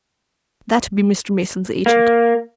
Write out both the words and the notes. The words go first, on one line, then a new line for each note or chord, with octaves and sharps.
That be Mr. Mason's agent.
A#3